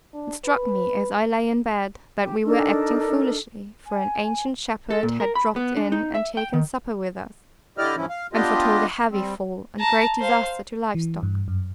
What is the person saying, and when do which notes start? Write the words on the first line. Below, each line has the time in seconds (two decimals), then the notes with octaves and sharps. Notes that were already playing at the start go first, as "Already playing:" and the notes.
It struck me, as I lay in bed, that we were acting foolishly; for an ancient shepherd had dropped in and taken supper with us, and foretold a heavy fall and great disaster to live stock.
0.14 D4
0.44 B4
2.19 G4
2.44 D4 D#4 A4 A#4
3.87 G#5
4.90 A4
5.03 A#2
5.20 A#4
5.35 B5
5.56 B3
5.77 D4
5.92 D#4
6.15 E5
6.37 G5
6.54 D#3
7.78 D3 E4 G4 D5 D#5 F6
7.97 G2 E3 F3 C#4 E4
8.09 F5
8.33 B3 D4 F4 G4 D#5
9.11 G3 C4
9.79 A5 A#5
10.19 C5 F5
10.95 E3
11.23 G2
11.48 F#2